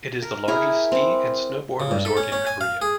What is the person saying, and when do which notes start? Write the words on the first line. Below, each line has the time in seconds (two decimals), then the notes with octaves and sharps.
It is the largest ski and snowboard resort in Korea.
0.22 A#4
0.48 E4 G#4 A#4 A#5
0.92 C4 D6
1.80 C#3
1.91 G2
2.05 A4
2.17 C#4
2.32 C#4
2.47 G#5
2.61 F5
2.82 G#4